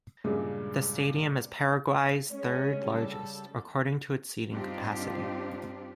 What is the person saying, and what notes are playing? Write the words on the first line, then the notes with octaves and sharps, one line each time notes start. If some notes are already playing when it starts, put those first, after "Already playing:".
The stadium is Paraguay's third largest, according to its seating capacity.
G2 A#2 C#3 G#3
G#3 C#4 C#5
C#3 G3 A4
G2 C4 D4 D#4 F4 G4